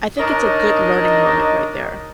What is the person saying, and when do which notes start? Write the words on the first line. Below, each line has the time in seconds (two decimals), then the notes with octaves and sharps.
I think it's a good learning moment right there.
0.19 D4 D#4 A#4 C#5 D#5